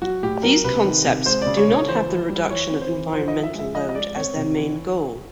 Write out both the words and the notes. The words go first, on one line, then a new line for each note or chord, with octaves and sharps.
These concepts do not have the reduction of environmental load as their main goal.
F#3 F#4
A2 G4
F#3 A#4
C3 B4
D#3
C3
G#3 C5
D5
C#3
C#5
C#3 C#5
E3 C5
E3
G3
E3 C#5
C4
C5
E3
F3 C5
D#5
F3
E5
G#3 E5
F3 D#5
D#5
G#3 D5
C4 C#5
C3
E3